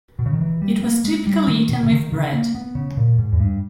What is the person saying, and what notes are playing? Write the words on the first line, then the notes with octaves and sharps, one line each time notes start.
It was typically eaten with bread.
B2
C#3
D#3
E3
G3
A#3
G#3
G3
D#3
B2
C#3
D#3
C#3
A#3
B3
C#3
A#2
G#2
E2
G2